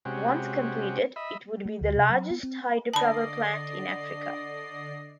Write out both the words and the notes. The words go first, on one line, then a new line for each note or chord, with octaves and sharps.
Once completed, it would be the largest hydropower plant in Africa.
C3 G#3 C#4 F#4 G4
D#5 E5 B5
A3
D2
C3
F#3
B3
C4
D3 D5 D#5 A5 B5 C7